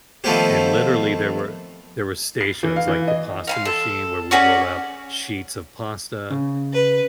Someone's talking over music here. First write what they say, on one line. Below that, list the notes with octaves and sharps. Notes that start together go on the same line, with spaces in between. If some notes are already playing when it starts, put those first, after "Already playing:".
and literally, there were there were stations, like, the pasta machine where we'd roll out sheets of pasta.
D#3 F3 A3 B3 C4 G4
C7
E3
F5
E3
D#5
F5 G#5 C6
A4
C#4 F#4 G#4 D5
C#3
B4